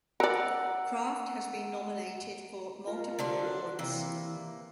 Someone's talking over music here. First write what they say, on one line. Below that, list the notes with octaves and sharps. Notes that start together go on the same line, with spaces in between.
Craft has been nominated for multiple awards.
A#4 D5 F#5 A#5 E6
F4 A#4
D3 D4 C5
C3 E3 A#3